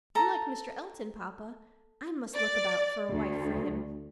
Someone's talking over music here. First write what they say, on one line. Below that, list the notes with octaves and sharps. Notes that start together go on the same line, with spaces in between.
You like Mr. Elton, papa,--I must look about for a wife for him.
A4 A#5
D5
D2